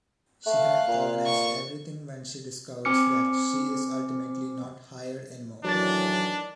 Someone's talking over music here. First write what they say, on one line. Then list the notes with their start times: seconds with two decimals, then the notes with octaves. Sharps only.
She had organized everything when she discovers that she is ultimately not hired anymore.
0.46 A3 F5 F#6
0.88 A#2
1.26 C#6
2.85 C4 C5 G#5 D6 F6 C#7
5.64 A2 D#3 E3 F#3 D4 A6